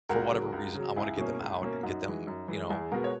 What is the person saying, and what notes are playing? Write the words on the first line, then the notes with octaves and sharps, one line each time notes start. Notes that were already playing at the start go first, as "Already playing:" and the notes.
for whatever reason, I wanna get them out and get them, you know,
C#2 F#4 A#4
C#3 F#3
C#2
C#3 F#3
C#2 E4 G#4
B2 A#3 C#4
C#2
B2 A#3 C#4
F#2 D#4 F#4
E3 G#3
F#2
E3 G#3
E2 E4 G#4
B2 G#3 B3 F#4 A#4
C#5